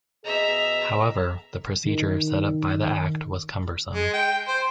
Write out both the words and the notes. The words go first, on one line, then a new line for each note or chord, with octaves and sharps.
However, the procedure set up by the Act was cumbersome.
B2 G#4 D#5 E5 A#5
D#3
G#3
G5
C5